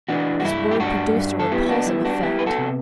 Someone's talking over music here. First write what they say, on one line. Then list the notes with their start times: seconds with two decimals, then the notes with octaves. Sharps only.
This word produced a repulsive effect.
0.09 E3 D4 F#4
0.40 F#4
0.44 G2 E4
0.71 G4
0.80 G2 D4 F#4
1.16 G2
1.40 A4
1.51 B3 E4 G4
1.69 D4 F#4
1.86 G3 E4
2.05 D4 F#4
2.22 B3 E4 G4
2.39 B4
2.46 F#4 A4
2.58 C3